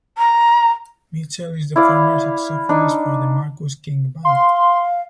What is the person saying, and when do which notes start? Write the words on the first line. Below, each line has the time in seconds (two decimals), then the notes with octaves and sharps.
Mitchell is the former saxophonist for The Marcus King Band.
0.18 A#5
1.76 E4 D5 F5
2.69 D4 D#4
4.25 F5 C6